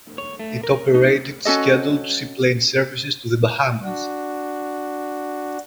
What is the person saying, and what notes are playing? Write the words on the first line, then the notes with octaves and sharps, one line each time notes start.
It operated scheduled seaplane services to the Bahamas.
C#5
A3
A#4
D#4
C#4 F#4 A4 D#5
D4 F#4